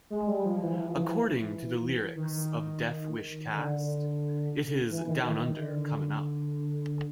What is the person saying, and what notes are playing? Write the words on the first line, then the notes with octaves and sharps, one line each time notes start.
According to the lyrics of Def Wish Cast, it is down under, comin' up.
G#3
G3
F3
E3
E3
F3
E3
D#3
D3
E3
D#3
D#3
D#3
D3